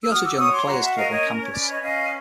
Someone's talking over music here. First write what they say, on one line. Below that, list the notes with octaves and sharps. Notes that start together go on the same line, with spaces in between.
He also joined the Player's Club on campus.
E6
F#4 D#6 F6
D6 E6
C#5 C#6 D#6
C6 D6
F#4 A#5 C6
E5 F#5
A#4 D#5 F5
C#5 D#5
C#4
C#5
B4 D5
C#5 D#5
C#4 D#5 F5